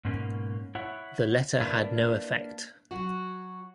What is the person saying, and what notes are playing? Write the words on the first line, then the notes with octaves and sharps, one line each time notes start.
The letter had no effect.
G#2 B2 A#3 C#4
E4 C#5 E5 F#5
A#3 D4 E4 A#4 B4 E5
F#3 F#4